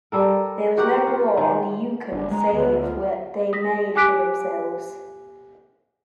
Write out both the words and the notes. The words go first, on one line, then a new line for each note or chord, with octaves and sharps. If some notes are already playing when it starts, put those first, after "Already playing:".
There was no law on the Yukon save what they made for themselves.
G3 A4 A#4
F#4 G4 A#4 F#5
F4
D#3 G#3
F#1 D4
G#3 A#5
D2 B3
F4
D#6 A#6 B6
G4 G#5 D6 F#6 B6 D7